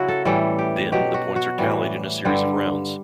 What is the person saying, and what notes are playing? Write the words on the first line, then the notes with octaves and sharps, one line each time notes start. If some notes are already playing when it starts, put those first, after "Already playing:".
Then, the points are tallied in a series of rounds.
Already playing: C#3 F#3 C#4 E4 F#4
A4
A2 E3 G3 A4
G4
B2 F#3 G4
F#4
F#4
A2 E3 G3
G2 D3 G3